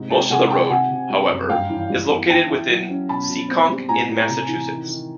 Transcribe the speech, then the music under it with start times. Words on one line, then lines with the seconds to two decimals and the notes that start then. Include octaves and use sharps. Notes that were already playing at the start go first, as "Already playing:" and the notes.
Most of the road, however, is located within Seekonk in Massachusetts.
Already playing: G#2 C3
0.10 G#2 G5 A5
0.30 C3 F#5 G#5
0.50 D#3 G5 A5
0.70 C3 F#5 G#5
0.90 C3
1.10 G3
1.30 F#2
1.50 G2 F5 G5
1.70 E3
1.90 G3
2.09 B3
2.29 E3 G5 A5
2.50 E4
2.70 F#3
2.89 C#4
3.09 B2 A5 B5
3.29 B2
3.49 C4
3.69 G3
3.89 A2 G#5 A#5
4.09 A2
4.29 C3
4.49 E3
4.68 D#3
4.88 D#3